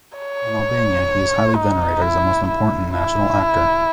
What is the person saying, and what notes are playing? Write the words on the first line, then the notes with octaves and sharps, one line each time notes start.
In Albania he is highly venerated as a most important national actor.
C#5
D#4
E4
E4
E4